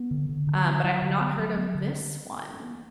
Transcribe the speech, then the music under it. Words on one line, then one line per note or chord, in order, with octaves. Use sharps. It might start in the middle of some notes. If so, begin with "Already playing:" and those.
um, but I have not heard of this one.
Already playing: B3
D3
D3
D3
B3
F#3
D3
B3
F#3
B3
D3